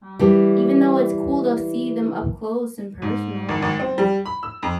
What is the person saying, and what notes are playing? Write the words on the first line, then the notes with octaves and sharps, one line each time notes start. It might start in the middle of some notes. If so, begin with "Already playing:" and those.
um, even though it's cool to see them up close and personal, um,
E3 G3
G#2
G#1
G#1
C4
G3
B5
E6
F2